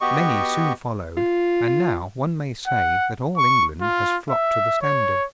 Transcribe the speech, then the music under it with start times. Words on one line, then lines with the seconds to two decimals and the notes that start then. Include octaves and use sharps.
Many soon followed, and now one may say that all England has flocked to the standard.
0.01 B3 F#4 G4 D#5 C#6
1.17 F4
2.67 F#5
3.38 C#6
3.81 F4
4.30 E5
4.82 C#5